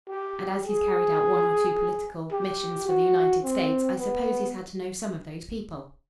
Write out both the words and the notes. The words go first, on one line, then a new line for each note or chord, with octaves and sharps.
And as he's carried out one or two political missions for the United States, I suppose he's had to know some of these people.
G4
G#4
G4
F#4
C4
B3